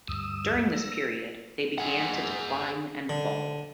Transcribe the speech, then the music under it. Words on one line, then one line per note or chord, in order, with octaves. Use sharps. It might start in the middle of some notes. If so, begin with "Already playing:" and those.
During this period, they began to decline and fall.
D2 G2 D#6 E6
E6 A#6
G#4 F#5
D3